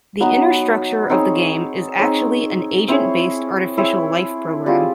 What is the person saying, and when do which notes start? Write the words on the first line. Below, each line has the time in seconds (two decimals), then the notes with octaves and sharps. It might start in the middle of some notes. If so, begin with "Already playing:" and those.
The inner structure of the game is actually an agent-based artificial life program.
0.20 F#3 B3 D#4
1.09 C4 D#4 G#4 C#5
1.99 C4 D#4 G#4 C#5
2.88 C4 E4 G#4 C#5
3.77 C4 E4 G#4 C#5
4.66 G3 C4 F4 G#4